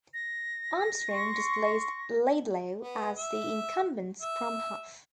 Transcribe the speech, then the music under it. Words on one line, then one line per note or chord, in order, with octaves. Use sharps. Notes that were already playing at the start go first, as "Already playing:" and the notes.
Armstrong displaced Laidlaw as the incumbent scrum half.
A#6
C6 C#6
B3
E5
E5